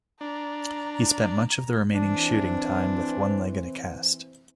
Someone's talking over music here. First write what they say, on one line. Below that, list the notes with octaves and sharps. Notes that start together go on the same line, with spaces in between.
He spent much of the remaining shooting time with one leg in a cast.
D4 A#5
E3 C4 D4